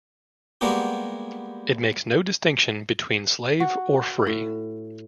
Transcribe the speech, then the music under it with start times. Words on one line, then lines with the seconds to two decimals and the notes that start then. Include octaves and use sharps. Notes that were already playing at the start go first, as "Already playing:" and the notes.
It makes no distinction between slave or free.
0.61 G3 G#3 A#3 B3 F#4 G4
3.60 F#4
4.27 A2